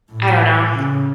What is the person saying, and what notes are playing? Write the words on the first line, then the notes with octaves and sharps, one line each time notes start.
I don't know,
A2
C#3